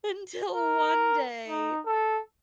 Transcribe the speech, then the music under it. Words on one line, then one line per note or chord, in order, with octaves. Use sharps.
Until one day,
A#4
D#4
A4